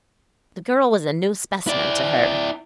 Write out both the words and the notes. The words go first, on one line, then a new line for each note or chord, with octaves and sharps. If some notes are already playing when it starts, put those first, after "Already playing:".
The girl was a new specimen to her.
E4 D5